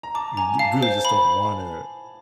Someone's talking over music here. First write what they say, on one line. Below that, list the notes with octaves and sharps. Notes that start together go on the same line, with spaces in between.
you d you really just don't wanna
A#5
A5 D6
G#5 A#5
F5 A5
C5
B5